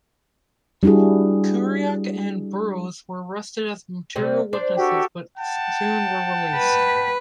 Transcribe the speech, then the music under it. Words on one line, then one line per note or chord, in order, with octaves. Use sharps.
Kerouac and Burroughs were arrested as material witnesses but soon were released.
G3 D4 E4 F#4 G#4
C3 G3 C4
D4 C5
F#4 G4 A4
F#5 G5 A5
B4